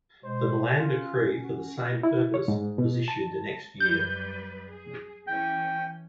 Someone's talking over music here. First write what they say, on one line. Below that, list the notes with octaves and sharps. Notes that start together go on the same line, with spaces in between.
The Milan decree for the same purpose was issued the next year.
B2 G#3 C5
C#4 F4
F#4
E4
C#5
G#2
B2
A5
F#2 G3 B4 G6
G#4
E3 C#4 G5